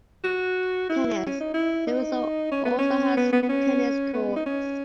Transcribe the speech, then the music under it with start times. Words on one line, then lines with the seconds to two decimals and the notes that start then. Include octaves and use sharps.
Tennis - The resort also has tennis courts.
0.24 F#4
0.89 E4
1.27 C#4
1.40 D#4
1.54 E4
1.87 D#4
2.52 C#4
2.65 B3
2.79 C#4
3.17 B3
3.33 B3
3.43 B3
3.49 C#4
4.14 B3
4.36 D#4
4.46 C#4